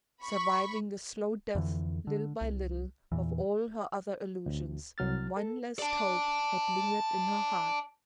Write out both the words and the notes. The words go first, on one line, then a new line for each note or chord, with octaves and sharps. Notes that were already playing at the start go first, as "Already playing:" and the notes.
Surviving the slow death little by little of all her other illusions, one last hope had lingered in her heart.
B5 C#6
F2 D3 E3
D3
C2
E2 A#2 E3
D2
C2 F#3 F6 A6
A4
D5 A5